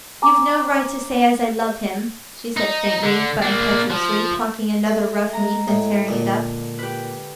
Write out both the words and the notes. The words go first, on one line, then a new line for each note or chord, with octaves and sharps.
"You've no right to say as I love him," she said, faintly, but impetuously, plucking another rough leaf and tearing it up.
G#5 A#5 D6
D#4
D3
A#3 D4
F3
A3
G#3 A#5
A2 G#3
A#2 D3
G4 B4